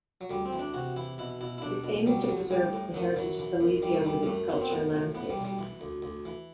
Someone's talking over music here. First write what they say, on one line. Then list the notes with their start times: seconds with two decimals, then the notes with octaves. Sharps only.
Its aim is to preserve the heritage of Silesia with its culture and landscapes.
0.21 F#3
0.30 D2 G3
0.45 C4
0.53 E3
0.59 D4
0.74 C3 F#4
0.96 E3 E4
1.18 B2 E4
1.41 B2 E4
1.58 E4
1.62 B1 D4
1.84 B2
2.06 F#3 G3
2.22 G3
2.29 A1 F#3
2.50 A2 G3
2.73 A2
2.94 F#2 F#3
3.16 E3 F#3
3.39 E3
3.61 F#2
3.82 E3 G3
3.94 A3
4.04 E3 G3
4.23 G3
4.26 F#2 A3
4.49 F#2 B3
4.61 C4
4.70 A2 B3
4.93 A2
5.15 E3 B3
5.30 G3
5.37 B1
5.45 G3
5.59 E3
5.81 D2
6.02 D2
6.25 E3